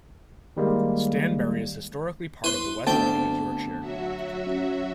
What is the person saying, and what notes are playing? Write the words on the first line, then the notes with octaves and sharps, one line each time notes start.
Stanbury is Historically part of the West Riding of Yorkshire.
D#3 G3 G#3 A#3
E4 B4 C6
D2 B3 C4 G5 A5
F#3 F#4 E5
C#4